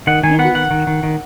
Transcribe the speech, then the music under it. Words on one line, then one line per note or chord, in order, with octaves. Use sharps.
"He just ch
D#3 F#5
D#3 G#5
B3 F#5
D#3 F#5
D#3
D#3
D#3